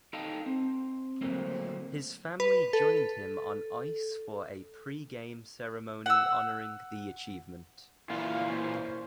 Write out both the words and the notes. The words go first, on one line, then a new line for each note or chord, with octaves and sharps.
His family joined him on ice for a pre-game ceremony honouring the achievement.
D#4 A4 D#5 F5 G5 A5
C4
A#2 D3 F#3 A3 A#3 C4
B4
A4
F#5 E6
A#2 E3 E4 F4 F5
C#4 C5